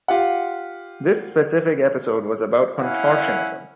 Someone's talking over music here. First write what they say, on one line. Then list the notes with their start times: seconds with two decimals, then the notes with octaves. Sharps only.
This specific episode was about contortionism.
0.08 F4 G4 F#5
2.76 C#4 E4 F5 F#5